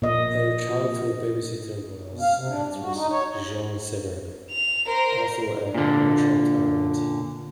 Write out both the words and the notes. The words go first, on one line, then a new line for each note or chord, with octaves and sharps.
Her childhood babysitter was actress Jean Seberg, also a Marshalltown native.
A#2 D#5
B2
F5
C3
D4
G2
F#4
D#4
C#5
F7
A#4 C5
A#2 D3